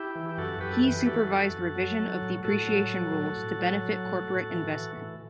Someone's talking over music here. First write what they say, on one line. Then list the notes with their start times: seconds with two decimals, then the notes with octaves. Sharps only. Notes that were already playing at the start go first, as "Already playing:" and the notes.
He supervised revision of depreciation rules to benefit corporate investment.
Already playing: E4 G4
0.15 E3
0.29 G4
0.38 F#2 F#4 A4
0.60 F#2 G4 B4
0.73 A4
0.84 E3 G4 B4
1.07 E3 F#4 A4
1.29 F#2
1.53 F#2
1.75 F#3
1.99 F#3
2.22 A2
2.44 A2 F#4 A4
2.67 F#3
2.90 F#3
3.12 A2
3.36 A2
3.59 F#3
3.81 F#3
4.05 A2
4.27 A2
4.50 E3
4.73 E3
4.97 A2